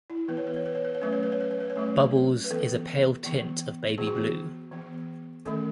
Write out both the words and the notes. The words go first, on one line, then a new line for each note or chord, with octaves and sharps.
Bubbles is a pale tint of baby blue.
E4
E3 B3 B4
C#5
B4
C#5
B4
C#5
B4
C#5
F#3 A3 C#4 B4
C#5
B4
C#5
B4
C#5
B4
C#5
F#3 A3 C#4 B4
B4
E3 B3 A4
E3 B3
E3 B3 G#4
F#4
G#4
E3 B3
D#3 A3 C#4 A4